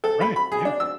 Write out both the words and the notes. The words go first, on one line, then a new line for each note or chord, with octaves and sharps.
right? Yeah,
A4
B5
B5
G#4
D4
E6